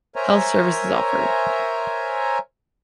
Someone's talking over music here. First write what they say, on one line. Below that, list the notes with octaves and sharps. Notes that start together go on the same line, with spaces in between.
Health service is offered.
A#4 C5 C#5 E5 G#5 A#5